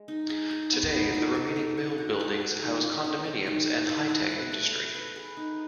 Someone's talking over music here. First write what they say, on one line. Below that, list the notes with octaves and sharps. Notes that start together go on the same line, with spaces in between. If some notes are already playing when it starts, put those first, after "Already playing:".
Today, the remaining mill buildings house condominiums and high-tech industry.
Already playing: G#3
D#4
G#4
G#4
B3
D#4
D#4
A4
A4
C#5
F#4
A4
A4
D#3
C#4
C#4
G#3
D#3
G#3
B4
E4
B4
A3
A3
B4
G#4
D#4